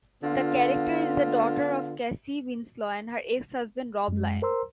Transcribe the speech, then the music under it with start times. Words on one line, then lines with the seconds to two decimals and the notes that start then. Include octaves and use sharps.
The character is the daughter of Cassie Winslow and her ex-husband, Rob Layne.
0.22 D3 B3 F4
4.08 F#2 G#3
4.42 A#4 C5 A#5 C6 E6